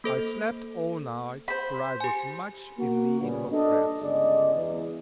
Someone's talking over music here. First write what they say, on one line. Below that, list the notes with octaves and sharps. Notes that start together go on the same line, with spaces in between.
I slept all night, for I was much in need of rest.
A#3 A4 C5
C5 B5
G4 G#5
A#3 F#4
A#2 C#3 G3 B3
D4 A4 D#5
G1 C#3 G#3 D5 D#5
E2